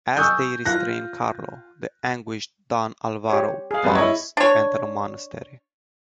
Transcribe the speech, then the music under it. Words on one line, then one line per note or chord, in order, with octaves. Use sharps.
As they restrain Carlo, the anguished Don Alvaro vows to enter a monastery.
G#5 C#6 D#6 E6 F#6 G6
F4 F#6 A#6
G4 C#5
G#4 F5
F#2 G3 B3
E4 C#5 D#5
D4 C#5